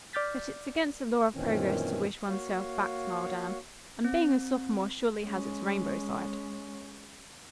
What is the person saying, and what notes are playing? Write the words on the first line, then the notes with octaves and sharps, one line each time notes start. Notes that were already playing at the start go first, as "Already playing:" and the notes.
"But it's against the law of progress to wish one's self back," smiled Anne, "and being a sophomore surely has its rainbow side."
D5 D6 F6 G6 A6 B6
F#2 A#2 D#3 E3 C4 C#4
A#3 F#4 C#5 F5
C4
G#3 C#4